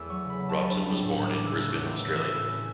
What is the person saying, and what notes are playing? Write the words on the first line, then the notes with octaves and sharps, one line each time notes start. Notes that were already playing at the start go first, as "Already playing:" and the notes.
Robson was born in Brisbane, Australia.
Already playing: E2 A3 E6
F#3 C#6
C#3
B5
B3
A5
C#2
D4
G3
A2
A2
E3 D6
C#3 E6
A3 F#6
E2 F#6
A3 E6
E3 E6
E4
A2 E6
C#4